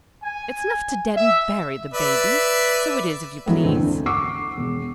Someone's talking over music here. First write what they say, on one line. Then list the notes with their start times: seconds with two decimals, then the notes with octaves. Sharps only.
"It's enough to dead and bury the Baby, so it is if you please."
0.23 G#5
1.14 E5
1.94 B4 D5 E5
3.46 E3 F#3 G#3 A3 B3
3.64 F1 D2 D3 C4
3.79 D2
4.06 F#5 C#6 D6 E6 C7
4.57 E1